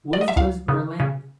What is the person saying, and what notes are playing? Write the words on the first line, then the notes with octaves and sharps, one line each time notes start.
Woods lives in Berlin.
D5
D#5
E5
C#2 F5
C#3
C#3